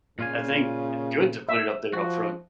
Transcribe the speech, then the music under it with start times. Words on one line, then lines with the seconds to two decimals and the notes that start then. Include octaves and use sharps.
I think it's good to put it up there upfront.
0.19 A#2 C#3 F4 G#5
1.49 E5
1.93 F3 F#4